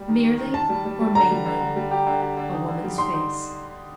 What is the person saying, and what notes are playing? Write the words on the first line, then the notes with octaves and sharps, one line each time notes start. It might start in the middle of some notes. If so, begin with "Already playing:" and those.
Merely, or mainly, a woman's face.
Already playing: G3
D#3
D#3
D#3
D#3 A5
G3
G3
G3
D3 A#5
G3
D3
D3
G3
G4
D3
G4
D3
D#4
D3
G3
D#4 C6
D#4